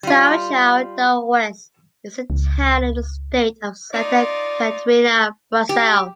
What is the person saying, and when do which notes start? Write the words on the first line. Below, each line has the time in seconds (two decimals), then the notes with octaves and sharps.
São João do Oeste is a town in the state of Santa Catarina, Brazil.
0.03 G3 F4
2.30 C#2
3.93 D#4 F4 D5
5.69 G4